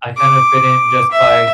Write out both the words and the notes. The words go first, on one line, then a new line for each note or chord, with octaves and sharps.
I kind of fit in just by
D6
E5